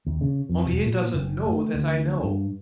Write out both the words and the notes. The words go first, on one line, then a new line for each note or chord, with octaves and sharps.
Only he doesn't know that I know.
D#2
C#3
F2
E1
A#2
F#1
A3
D2
G2